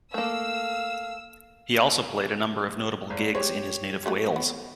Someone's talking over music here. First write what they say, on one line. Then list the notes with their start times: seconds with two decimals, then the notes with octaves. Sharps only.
He also played a number of notable gigs in his native Wales.
0.14 A3 A#3 F5 E6
3.10 G#1
3.35 G#3 G4 C#5
4.06 F#3 G3 A3
4.36 B3